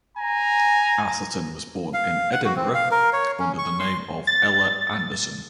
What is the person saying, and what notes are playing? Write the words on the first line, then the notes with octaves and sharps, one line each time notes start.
Atherton was born in Edinburgh under the name of Ella Anderson.
G#5 A#5
F5
F#5
F#4
C4
F5
A#4
C#5
C#4
C#6
C6
A6